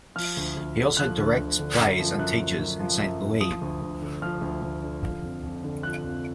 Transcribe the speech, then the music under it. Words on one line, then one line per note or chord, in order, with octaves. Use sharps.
He also directs plays and teaches in Saint Louis.
F3 F6
D2
D2
D3
F3 F#6
D2
D2
D3
F#2
F3
F#2 F#6
F3
F#2
F3
F#2
F3
F3 D#6
D2
D2
D3
F3 F6
D2
D2
D3
F3
F2
F2
D3
F3 F#6
F2